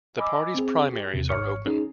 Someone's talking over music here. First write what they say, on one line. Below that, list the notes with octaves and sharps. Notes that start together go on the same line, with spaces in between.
The party's primaries are open.
D#5 G#5 B5 D6 E6
C4 G#4
G4
E2 C3
G#1 G#2 C#5 C#6 F6 C#7
C#4 D#4 G#4